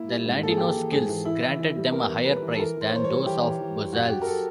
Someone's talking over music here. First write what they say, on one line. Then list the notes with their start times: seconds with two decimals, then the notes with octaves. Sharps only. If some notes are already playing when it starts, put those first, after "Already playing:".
The Ladinos' skills granted them a higher price than those of "bozales".
Already playing: A#3 E4
0.08 G3
0.25 G#2
0.41 A#3 A4
0.51 G#4
0.58 A#3 G4
0.75 E3
0.91 G#2 G#4
1.09 E3
1.25 E3 E4
1.42 E3
1.59 E3
1.76 G3
1.92 B3 A#4
2.09 E3
2.25 G3 B4
2.42 E3
2.55 A4
2.60 E3 A#4
2.76 E3 C5
2.89 C#5
2.92 E3 C5
3.04 C#5
3.09 G3
3.25 E3 G4
3.42 E3
3.60 E3
3.76 G3
3.93 F#2 F#4
4.10 F#3 G4
4.22 A#4
4.27 A4